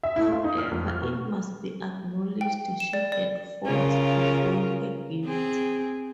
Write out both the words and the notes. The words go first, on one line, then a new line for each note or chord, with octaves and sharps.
However, it must be acknowledged, she had faults to foil her gifts.
E5
E4
F4
D#4
F6
F2
F6
B2
G5
E7
D5
D5
C#3 F4 A#4
C4 G#4